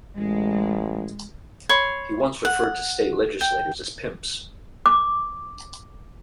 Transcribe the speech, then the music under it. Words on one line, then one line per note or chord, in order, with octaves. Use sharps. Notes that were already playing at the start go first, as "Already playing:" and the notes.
He once referred to State legislators as "pimps".
A1 G#3
C#5 B5 C6
F#5
G5
D6